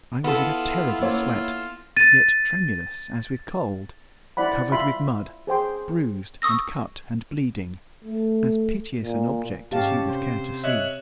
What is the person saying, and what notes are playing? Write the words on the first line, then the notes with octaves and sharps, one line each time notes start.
I was in a terrible sweat,--yet tremulous as with cold; covered with mud; bruised, and cut, and bleeding,--as piteous an object as you would care to see.
B3 E4 F4 A4
A#3 F4 C#5
A6 D#7
E4 C5 D5 F#5 B5
F4 E5 B5 C6
G#4 C5 G5 C6
C#6 D#6 E6 A#6
A3
A#2
G#2 C#4 G4 F5 A5
C3 C5
C#5 D#5 E5 F#6